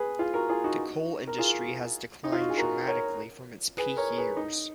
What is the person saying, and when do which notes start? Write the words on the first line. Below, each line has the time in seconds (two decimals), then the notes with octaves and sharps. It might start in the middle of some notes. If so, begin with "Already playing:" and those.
The coal industry has declined dramatically from its peak years.
Already playing: G#4 B4
0.19 F4 G#4
0.34 F#4 A#4
0.49 F4 G#4
0.64 D#4 F#4
1.27 A#4
1.38 F4 G#4
2.24 D#4
2.32 F4
2.40 F#4
2.49 G#4
2.57 F#4 A#4
2.87 A#4 C#5
3.77 G#4 B4
3.97 A#4 C#5
4.17 G#4 B4
4.37 D#4